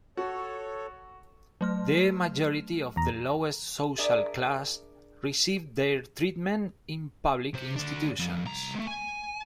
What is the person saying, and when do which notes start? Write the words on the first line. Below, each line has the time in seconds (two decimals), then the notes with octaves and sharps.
The majority of the lowest social class received their treatment in public institutions.
0.17 F#4 A4 C#5
1.61 F#3 A3 F6
2.96 E2 A#5
3.98 D4 G#4 A#4 D5 E5
7.54 C3 C5
7.76 D2 D4
8.19 F2
8.45 C2 A#5
8.75 G#3 A3
8.87 G#5